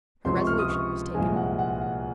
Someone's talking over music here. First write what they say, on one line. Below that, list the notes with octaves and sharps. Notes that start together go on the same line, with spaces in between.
Her resolution was taken.
C#2 C3 F3 C6
C#6
F6
D#6
C#6
C2 A#2 F3 G#3 G#5
F#5
F#5
F#5